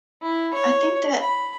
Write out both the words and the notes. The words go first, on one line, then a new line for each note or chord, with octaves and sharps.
I think that
E4
C#5
B5